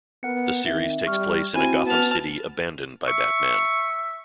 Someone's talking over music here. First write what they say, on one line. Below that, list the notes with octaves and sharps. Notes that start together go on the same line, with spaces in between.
The series takes place in a Gotham City abandoned by Batman.
B3 A#4 F#5 C#7
D#3 C4 E5
G3 C#6 F6
C4 E4 F#4 G#5
B3 A5 F6
E5 C#6